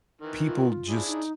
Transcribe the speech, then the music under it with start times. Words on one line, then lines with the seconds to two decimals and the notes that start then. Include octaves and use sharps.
people just
0.21 D#3 E3
0.45 F4
0.89 D4 E4 G#4
1.08 D#4